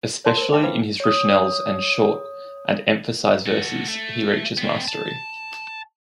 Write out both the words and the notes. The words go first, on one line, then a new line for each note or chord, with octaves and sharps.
Especially in his ritornelles and short and emphasized verses he reaches mastery.
C#5 A5 C6
A#4 C5
D#4 E5 G5 D6
D#4 F4 B4 C5 F5 G5
C#5 D#6
F#4 A4
A3
B3 C4
A5